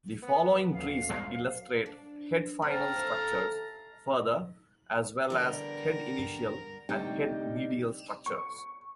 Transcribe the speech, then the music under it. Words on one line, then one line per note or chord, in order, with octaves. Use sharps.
The following trees illustrate head-final structures further as well as head-initial and head-medial structures.
B3
D#1 D2 C#4 F5
F#2
D4
C4 F5 A5 A#5
D#2 A4 E5
D3 G3 B3 A#4
G2
D2 C3 G3 D#4 G5
C#6